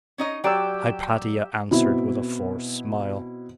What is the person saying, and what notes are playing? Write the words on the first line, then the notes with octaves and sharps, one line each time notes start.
Hypatia answered with a forced smile.
C#4 D#4 D#5
F#3 G4 D5 G5 E6
B2 C4 E4